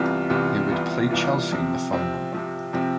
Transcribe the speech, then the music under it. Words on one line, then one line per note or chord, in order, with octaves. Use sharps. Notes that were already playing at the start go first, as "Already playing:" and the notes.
They would play Chelsea in the final.
Already playing: C2 C3 E3 B3 F4
C2 C3 E3 B3 F4
C2 C3 E3 B3 F4
C2 C3 E3 B3 F4
C3 F3 C4
C3 F3 C4
C3 F3 C4
C3 F3 C4